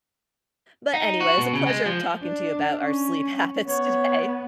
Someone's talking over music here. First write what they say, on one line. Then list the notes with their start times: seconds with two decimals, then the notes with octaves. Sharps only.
but, anyway, it was a pleasure talking to you about our sleep habits today.
0.94 D#4
1.21 F#4
1.38 B2
1.54 C#3
1.67 G#3
1.86 F3
2.23 D4
2.81 C#4
3.67 B3 C#5